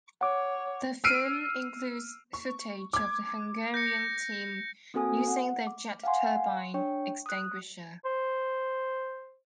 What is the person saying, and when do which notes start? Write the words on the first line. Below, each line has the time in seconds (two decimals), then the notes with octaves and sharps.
The film includes footage of the Hungarian team using their jet turbine extinguisher.
0.21 C#5 F#5 D6
1.04 E6 F6 C7 D7 D#7
2.33 C#6
2.93 D6 G#6
3.74 G6 A#6 C#7
4.94 A#3 C4 F#4 A4 G#5 D#6
5.28 F#5
5.67 D6
6.03 F5 F#5 G#5 C6
6.74 D4 C#5 G5 C#6
7.26 D#6 F#6
8.05 C5